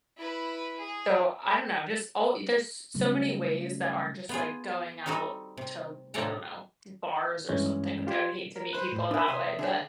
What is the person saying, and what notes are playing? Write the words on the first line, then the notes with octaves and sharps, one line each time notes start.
So, I don't know, just oh, there's s so many ways that aren't just, like, going out to, I don't know, bars or something, like I would hate to meet people that way, but,
E4 B4
G#4
C#3 F#3 G3 A3 C4
B3 F4 G#4
G3 C4 D#4 F#4 A4
C3
A2 C3 D4 A4 A#5
G2 E3 G#3 C#4
F4 G4 C6 G#6
A#4
B4 C5 F#6
F2 A2
D4 A#4 E5 D#6
C2 G#5 C6
D3 D4 G#4